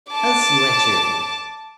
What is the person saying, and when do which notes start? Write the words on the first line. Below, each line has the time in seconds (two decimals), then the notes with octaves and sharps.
Elsie went cheerfully.
0.11 A5 D6